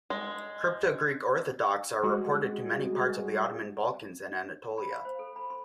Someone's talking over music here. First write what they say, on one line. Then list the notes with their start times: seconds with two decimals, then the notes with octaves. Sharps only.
Crypto-Greek Orthodox are reported to many parts of the Ottoman Balkans and Anatolia.
0.10 G#3
2.02 G3 G#3 F#4 G#4
4.78 B5
4.92 F5
5.05 C5
5.19 A4
5.36 B5
5.50 C6